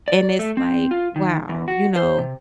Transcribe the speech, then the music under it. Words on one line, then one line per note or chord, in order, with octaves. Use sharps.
and it's like, "Wow," you know,
D5
A3
C4
F4
D#3
E2
F#4
C5
C3